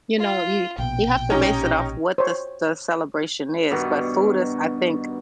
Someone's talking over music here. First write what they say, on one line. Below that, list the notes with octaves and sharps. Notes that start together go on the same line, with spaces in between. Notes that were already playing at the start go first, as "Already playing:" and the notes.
you know, you you have to base it off what the s the celebration is, but, food is, I think,
F4
A#1 B2 G5
C#4 D#4 G4
C5 C#5
G2 B2 D#3 F#4